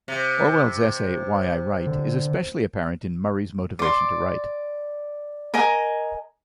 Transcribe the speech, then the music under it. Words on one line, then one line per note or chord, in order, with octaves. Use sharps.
Orwell's essay Why I Write is especially apparent in Murray's motivation to write.
C3
D3
D5 C6
A#4 D#5 G#5 A#5